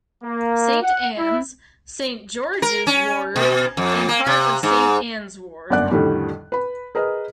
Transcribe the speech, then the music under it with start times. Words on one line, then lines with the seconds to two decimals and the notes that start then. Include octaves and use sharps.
"Saint Anne's": Saint George's ward and part of Saint Anne's ward.
0.24 A#3
0.82 F#5
1.18 E4
2.62 A#4
2.87 C#4
3.36 B2
3.77 F2
4.09 A#3
4.27 C3
4.63 G#2
5.70 G1 F#2 D5 F#5 F#6
5.91 F2 A2 D3 D#3 G3
6.52 B4 B5
6.95 G#4 A#4 B4 D#5